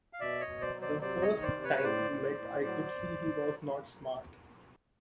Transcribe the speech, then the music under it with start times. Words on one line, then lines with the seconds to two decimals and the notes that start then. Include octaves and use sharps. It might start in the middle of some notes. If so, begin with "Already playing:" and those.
The first time we met I could see he was not smart.
0.13 F5
0.20 B2 D5 E5
0.40 C#5 D#5
0.47 B2
0.61 C5 D5
0.74 F#3
0.81 C5 D5
1.01 C3 C5 D5
1.22 C#5 D#5
1.29 D#3
1.42 C5 D5
1.57 C3
1.64 B4 C#5
1.76 C#5
1.83 A2 C5 D5
2.11 A2
2.38 A2
2.66 F#3